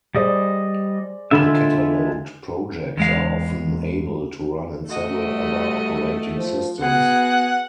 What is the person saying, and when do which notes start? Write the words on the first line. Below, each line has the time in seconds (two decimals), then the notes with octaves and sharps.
The cataloged projects are often able to run in several other operating systems.
0.15 G3 G#4 C5 D5 D#5
1.31 D3 G#3 F4 E5 B5 E7
2.97 E2 G#3 F5
4.89 A3 F#4 D#5
5.23 G3
6.37 F3
6.81 B3 F#4 G#4 F#5